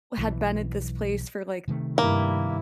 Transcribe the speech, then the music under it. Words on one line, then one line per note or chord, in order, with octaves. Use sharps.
had been at this place for like
B1 E3
C3 D#3 A3
G2 A#3 E4